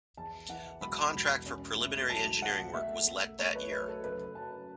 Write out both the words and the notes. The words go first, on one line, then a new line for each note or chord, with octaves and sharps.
A contract for preliminary engineering work was let that year.
E2 A5
E3 F#5
E1 B5
E1
C#4
A3
F#3 A5
F#3 F#5
A3 E5
A3
A3 C#5
B4
F#3 B4
A4
F#1 B4
F#3 A5